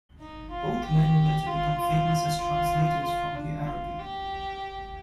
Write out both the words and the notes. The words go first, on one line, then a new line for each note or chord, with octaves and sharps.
Both men were to become famous as translators from the Arabic.
D#4
F4
G4
F4
F4
F4
F4
D4
F4
G4